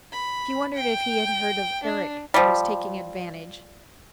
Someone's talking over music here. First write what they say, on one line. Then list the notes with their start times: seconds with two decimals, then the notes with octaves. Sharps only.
She wondered if he had heard of Erik, and was taking advantage.
0.12 B5
0.75 G5
1.84 D4
2.34 F3 G3